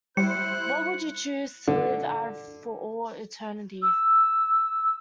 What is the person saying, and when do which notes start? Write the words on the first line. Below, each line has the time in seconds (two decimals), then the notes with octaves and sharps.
What would you choose to live out for all eternity?
0.17 G3 E4 C5 F#6 C#7
1.68 D3
3.82 E6